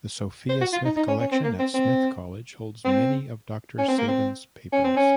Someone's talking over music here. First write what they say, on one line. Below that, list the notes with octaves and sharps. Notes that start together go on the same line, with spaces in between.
The Sophia Smith Collection at Smith College holds many of Doctor Sabin's papers.
C5
F#4
F4
D#4
D#4
C#4
C#4
C4
A#3
C4
C4
C4
C#4
C4
A#3
C4
C#4
C4
C#4